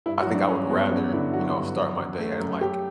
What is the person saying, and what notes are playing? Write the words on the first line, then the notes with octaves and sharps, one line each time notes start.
I think I would rather, you know, start my day at, like,
G2 E4
F#4
F#3
D4
G2 C#4
G2 B3
F#3 C#4
D3 E4
F#3 F#4
G2
F#3
F#2
A3
F#2
F#2 G4